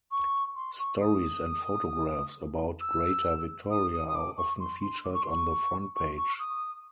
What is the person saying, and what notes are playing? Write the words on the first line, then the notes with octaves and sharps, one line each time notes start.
Stories and photographs about Greater Victoria are often featured on the front page.
C#6
C6
C#6
D#6
E6
D#6
D#6
D#6
D6
C#6
C6
C6
D6
C#6
C6
C#6
C#6
C#6
D#6